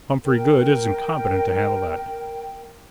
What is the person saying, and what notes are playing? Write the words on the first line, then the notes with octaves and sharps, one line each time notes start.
Humphrey Goode isn't competent to handle that.
A#4 G5